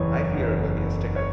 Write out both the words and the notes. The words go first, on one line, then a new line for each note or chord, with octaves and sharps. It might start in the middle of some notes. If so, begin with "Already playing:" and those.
I fear it will be a sticker.
Already playing: F#1 E2 E3 C#5
F#1 E2 E3
C#5